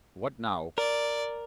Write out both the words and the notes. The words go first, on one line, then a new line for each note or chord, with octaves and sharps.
"What now?"
A#4 D5